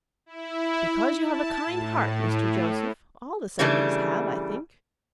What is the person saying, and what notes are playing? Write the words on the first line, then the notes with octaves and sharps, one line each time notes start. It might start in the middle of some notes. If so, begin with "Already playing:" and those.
"Because you have a kind heart, Mr. Joseph; all the Sedleys have, I think."
E4
A5
A2
C#3 E3 G3 A3 D4